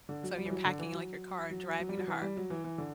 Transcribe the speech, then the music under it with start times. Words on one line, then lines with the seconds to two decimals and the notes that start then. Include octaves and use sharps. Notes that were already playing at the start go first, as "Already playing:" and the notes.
So you're packing, like, your car and driving to her.
0.09 D3
0.23 F#3
0.37 G3
0.46 E3
0.51 F#3
0.65 D3
0.79 E3
0.93 F#3
1.50 F#3
1.79 F#3
1.89 G3
1.97 F#3
2.08 E3
2.22 G3
2.36 F#3
2.50 E3
2.64 E3
2.78 D3